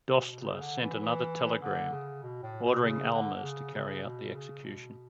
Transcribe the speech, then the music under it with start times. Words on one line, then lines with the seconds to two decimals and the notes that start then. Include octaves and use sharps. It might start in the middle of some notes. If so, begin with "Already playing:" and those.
Dostler sent another telegram ordering Almers to carry out the execution.
0.11 B2
0.41 C#3
0.61 D3
0.81 E3
1.02 E3
1.62 D3
1.92 C#3
2.23 B2
2.43 A2
2.63 B2
2.83 C#3
3.13 D3
3.34 D3
3.44 C#3
3.74 C#3
4.04 B2
4.35 C#3
4.64 B2